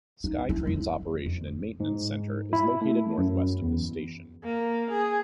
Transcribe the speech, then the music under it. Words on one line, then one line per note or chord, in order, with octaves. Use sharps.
SkyTrain's operation and maintenance centre is located northwest of this station.
D#4
E4
F2
F2
G#2
E4
A3
F#2
E2
A#3
G#4